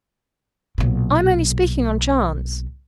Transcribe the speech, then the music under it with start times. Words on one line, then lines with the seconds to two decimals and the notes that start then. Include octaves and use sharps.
I am only speaking on chance.
0.78 B1 A#2